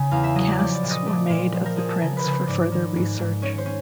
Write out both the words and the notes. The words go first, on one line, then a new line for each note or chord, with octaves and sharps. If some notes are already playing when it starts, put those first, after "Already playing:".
Casts were made of the prints for further research.
Already playing: C#3 G#5
E2 F5
E5
F#3 D#5
D5
F3 D5
D5
A#2
D#5
A3 D5
A#2
F3 C5
A#4
F3 G#4
A4
C#3 A#4
B4
C#3
C5
G#2 D5
D#3
G#2
G#2
C#4 C#5
C5
C#4